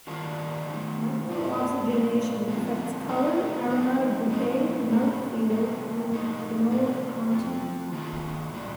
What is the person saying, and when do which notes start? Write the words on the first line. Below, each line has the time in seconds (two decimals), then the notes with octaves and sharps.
Micro-oxygenation affects colour, aromatic bouquet, mouth-feel and phenolic content.
0.07 D#3 G3 A#3 D4 F4
0.67 D#3 A3 D#4
1.27 C3 G3 D4
1.88 A#2 A3 D4 F4
2.48 D3 F3 C4 F4
3.08 A2 G3 A#3 D#4
3.69 F3 C4 D#4
4.29 A#2 F3 A3 D#4
4.90 A2 G3 A#3
5.50 C3 G3 A#3 D#4
6.10 A2 F3 A3 D#4
6.71 C3 G3 A#3 D4
7.31 F3 C4 F4
7.92 D#3 A#3 D4 F4
8.52 A#2 G3 D4 F4